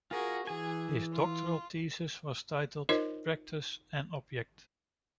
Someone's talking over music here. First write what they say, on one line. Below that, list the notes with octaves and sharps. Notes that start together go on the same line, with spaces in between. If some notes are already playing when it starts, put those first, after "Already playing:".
His doctoral thesis was titled "Practice and Object".
F4 F#4 G#4 A#4
E3 G#4 G#5
F4
D#4 F4 A#4 C5 C#5 D#5